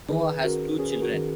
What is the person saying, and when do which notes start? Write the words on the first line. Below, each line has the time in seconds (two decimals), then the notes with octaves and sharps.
Noah has two children.
0.09 D#3 G#4 B4
0.43 C#4 F#4 A#4
0.78 C#4 G#4
0.92 G#4
1.01 F#4 A#4
1.14 D#3